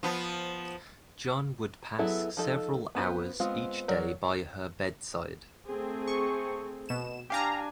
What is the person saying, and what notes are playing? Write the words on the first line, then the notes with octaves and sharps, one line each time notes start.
John would pass several hours each day by her bedside.
F3 B3
F#3 B3 E4 G#4 A4
F3 D#4 A4
B3 F4 B4 C5
G#3 B3 C4 F4
F#3 F#4 A#4 C#5 D5
A3 C4 G#4
C#6
B2 E7
D4 G4 F5 G#5 A#5